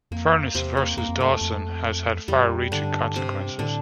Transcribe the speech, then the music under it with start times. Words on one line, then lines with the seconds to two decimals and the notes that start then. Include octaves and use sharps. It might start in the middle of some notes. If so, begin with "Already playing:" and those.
"Furniss versus Dawson" has had far-reaching consequences.
0.11 F2 A#3
0.54 E2 C3 C4
0.77 A#3
0.98 F2 A#3
1.09 F2
1.20 G2 A3
1.30 F2
1.41 F2
2.28 F2 G3
2.38 G2
2.48 F2
2.72 G2 D3 D4
3.15 C3 C4
3.59 A2 D3 D4